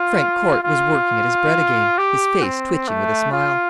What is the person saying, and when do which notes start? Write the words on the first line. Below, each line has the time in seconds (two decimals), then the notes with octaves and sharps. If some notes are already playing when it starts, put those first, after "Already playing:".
Frank Corte was working at his bread again, his face twitching with a smile.
Already playing: F4
0.63 F4
1.98 G4
2.43 C4
2.88 A3
3.32 F4